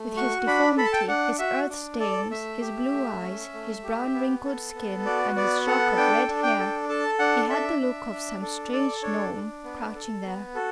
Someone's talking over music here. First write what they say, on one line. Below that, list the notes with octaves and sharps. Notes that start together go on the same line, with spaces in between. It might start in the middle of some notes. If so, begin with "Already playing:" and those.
With his deformity, his earth-stains, his blue eyes, his brown wrinkled skin, and his shock of red hair, he had the look of some strange gnome crouching there.
Already playing: A3
F#4 C#6
D4 B5
A4 B5
A5
G5
A5
D4 F#5
F#4 E5
D4
A4 D5
A3 E5
G4
A3
C#4
A3
G4
B3
A4
B3
F#4 D5
B3 D5
A4 F#5
D4 G5
D4
G5
A4
A4 A5
D4 F#5
D4 E5
D4
D4
A4
A4 D5
D4 C#5
D4
B3
A4
B3
F#4 A4